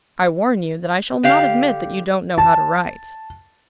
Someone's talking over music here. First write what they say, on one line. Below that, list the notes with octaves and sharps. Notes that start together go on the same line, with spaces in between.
"I warn you that I shall not admit that you don't know how to write."
D3 G4 F5
A5